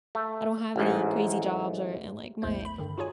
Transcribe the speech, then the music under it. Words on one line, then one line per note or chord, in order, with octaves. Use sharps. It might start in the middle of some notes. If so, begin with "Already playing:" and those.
I don't have any crazy jobs or and, like, my
A3
A1 G#2
A#1 E2 A2 A3 C5
B5
G2 D3 D#3
D#4 F4 F#4 G#4 C#5 G#5